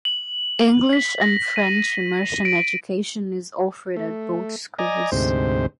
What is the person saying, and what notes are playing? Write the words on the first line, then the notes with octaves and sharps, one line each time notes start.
English and French immersion education is offered at both schools.
F#7
B6
A#6
D#7
D7
A3
D5 D#5 G#5 A#5
D2 G#2 C3 C5